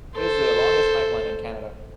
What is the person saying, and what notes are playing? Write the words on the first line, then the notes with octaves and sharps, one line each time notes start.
It is the longest pipeline in Canada.
A4 C5